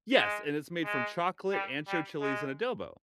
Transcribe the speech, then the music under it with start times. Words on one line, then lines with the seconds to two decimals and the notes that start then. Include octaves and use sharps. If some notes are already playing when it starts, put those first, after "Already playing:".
Yes, and it's made from chocolate, ancho chilies, and adobo,
0.16 G#3
0.84 G#3
1.53 G3
1.88 G3
2.21 G#3